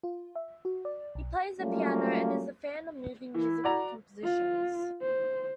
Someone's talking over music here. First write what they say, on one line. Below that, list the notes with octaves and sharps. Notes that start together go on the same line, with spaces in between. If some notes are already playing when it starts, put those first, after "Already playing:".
He plays the piano and is a fan of movie music compositions.
F4
E5
F#4
D5
B1
F#3 G3 A3 A#3 C#4 F4
E3 E4
F#4 D5 A#5
F4
C5